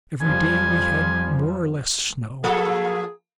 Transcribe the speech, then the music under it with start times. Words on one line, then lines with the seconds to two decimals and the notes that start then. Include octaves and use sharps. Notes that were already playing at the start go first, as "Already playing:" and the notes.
Every day we had more or less snow.
0.22 F2 F3 G3 G#5
2.44 F3 A#3 G#4 A4